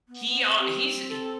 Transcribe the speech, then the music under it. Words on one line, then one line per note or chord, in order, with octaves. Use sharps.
He, uh he's
B3
B3
C4
C4 G4
A4